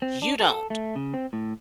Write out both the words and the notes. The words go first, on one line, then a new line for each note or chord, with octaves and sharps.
You don't.
C4
D4
A4
A3
C#3
C4
A2